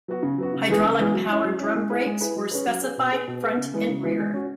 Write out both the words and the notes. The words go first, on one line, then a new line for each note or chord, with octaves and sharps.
Hydraulic power drum brakes were specified front and rear.
F#3 B3 F#4
C#3
F#3 B3 F#4
C#3
E3 G#3 B3 G#4
C#3
E3 G#3 B3 G#4
F#3
C#4 E4
F#3
C#4 E4
G#3
E4 G#4 B4
G#3
E4 G#4 B4
F#3
C#4 G#4 B4
F#3
C#4 G#4 B4
B2
B3 G#4 B4
B2
B3 G#4 B4
C#3
E3 G#3 B3 E4
C#3
E3 G#3 B3 E4
G#3
C#4 F#4